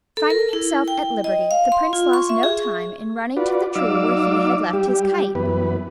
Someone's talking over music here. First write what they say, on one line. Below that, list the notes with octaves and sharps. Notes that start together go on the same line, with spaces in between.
Finding himself at liberty, the Prince lost no time in running to the tree where he had left his kite.
A4
A#4
E4
G5
D#5
F5
C6
F4
C#6
E5
G#4
F4 F#4 B4 D5
F#3 D#4 D5 F5 D6 E6
G3 G4
F#2 E3 B3 B4